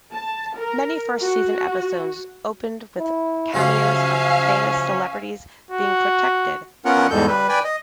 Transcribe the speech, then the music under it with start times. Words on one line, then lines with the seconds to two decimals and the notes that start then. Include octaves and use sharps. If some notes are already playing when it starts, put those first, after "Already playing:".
Many first season episodes opened with cameos of famous celebrities being protected by Vallery.
0.13 A5
0.57 A#4
1.20 F#4
2.97 E4
3.54 C#3 F3 F#3 C#4 G4 E5 F5 G#5
5.71 F#4
6.85 B3 C#4 F4 A#4 F#5
7.10 E2 G#2 G3 G#3 A4 G6
7.28 G3 B4
7.49 B4 D5 G5 G#5
7.64 D#5